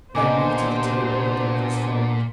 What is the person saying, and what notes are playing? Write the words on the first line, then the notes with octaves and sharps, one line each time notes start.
They moved to the table and the others followed.
A#2 B3 D4 G4 C5 D#5 G#5 D6